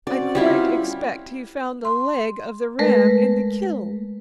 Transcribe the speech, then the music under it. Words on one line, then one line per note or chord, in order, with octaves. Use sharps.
I quite expect he found a leg of the ram in the kiln.
C4 C#4 F#4 D5
G3 E4 F4
C6
G#3 A3 A#4 B4